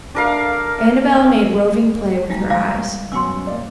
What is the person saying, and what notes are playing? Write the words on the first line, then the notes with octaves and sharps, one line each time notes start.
Annabel made roving play with her eyes.
D4 A#4 F5
B1 G3 G#3 A#3 D#4
G3 F5 A#5
F#2 B2 C#5 F#5 G#5 C6 E6
A#3 D5